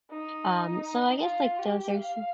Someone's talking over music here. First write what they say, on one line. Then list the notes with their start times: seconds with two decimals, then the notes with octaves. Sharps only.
Um, so I guess, like, those are some
0.11 D#4
1.22 F4
1.58 G4
1.94 F5